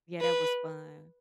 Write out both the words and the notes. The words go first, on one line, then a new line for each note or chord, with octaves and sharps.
yeah, that was fun,
B4